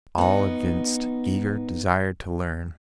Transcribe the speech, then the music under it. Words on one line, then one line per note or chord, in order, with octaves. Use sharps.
All evinced eager desire to learn.
B3 D#4